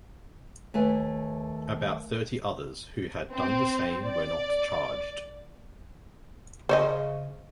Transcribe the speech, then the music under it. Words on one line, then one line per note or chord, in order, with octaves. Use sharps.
About thirty others who had done the same were not charged.
D#2 A3 B4 G#5
C4
D5
C#3 C5 C#5 D#5